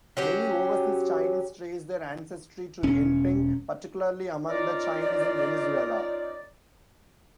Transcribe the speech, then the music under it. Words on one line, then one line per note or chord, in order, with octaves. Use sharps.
Many overseas Chinese trace their ancestry to Enping, particularly among the Chinese in Venezuela.
F#3 C#4 G4
E1 C#4
C#4 D#4 F4 A#4 D5